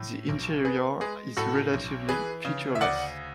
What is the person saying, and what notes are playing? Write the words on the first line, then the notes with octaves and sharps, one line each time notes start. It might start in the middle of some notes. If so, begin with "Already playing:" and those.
The interior is relatively featureless.
Already playing: A2
B1
B3 G#4 B4
G#3 G#4 B4
A2 F#4 A4
B1
E3 G#4 B4
C#3
E5
D2 D5 F#5